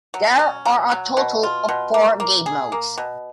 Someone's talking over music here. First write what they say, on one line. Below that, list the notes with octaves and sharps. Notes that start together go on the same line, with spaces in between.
There are a total of four game modes.
F#3
C#4
F#3
F#3
B2
F4
B2
A#3
A#3
G#4
A#3
B2